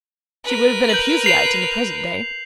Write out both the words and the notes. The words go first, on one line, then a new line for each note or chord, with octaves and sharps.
She would have been a Puseyite in the present day.
A#4 B4
G6 F#7
C7 F7